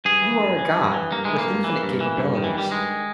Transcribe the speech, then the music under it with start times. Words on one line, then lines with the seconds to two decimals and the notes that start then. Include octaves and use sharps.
You are a god, with infinite capabilities.
0.05 G2 G#4
0.22 E3
0.40 G2
0.59 E3
0.76 G2
0.94 E3
1.12 G2 A#3
1.25 E3 G#3
1.38 A#3
1.47 G2
1.64 E3
1.83 G2
2.00 E3
2.17 G2
2.35 D#3
2.44 E3
2.54 G2 G3
2.71 D#3 G#3